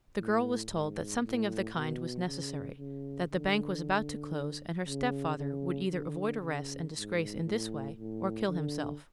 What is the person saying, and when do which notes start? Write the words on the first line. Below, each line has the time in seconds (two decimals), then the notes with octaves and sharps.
The girl was told that something of the kind was necessary, that the bank was about to close and her stepfather would either avoid arrest and disgrace in this way, or kill himself.
0.18 A2
0.70 G#2
1.23 A2
1.74 B2
2.26 C#3
2.78 C#3
3.30 D3
4.86 C#3
5.37 C#3
5.89 D3
6.41 C#3
6.93 G#2
7.45 A2
7.97 A2
8.49 D3